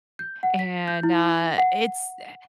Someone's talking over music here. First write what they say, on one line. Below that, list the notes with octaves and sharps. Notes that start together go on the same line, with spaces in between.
and, uh, it's eh,
G6
F#5
B6
G6
E4
F#5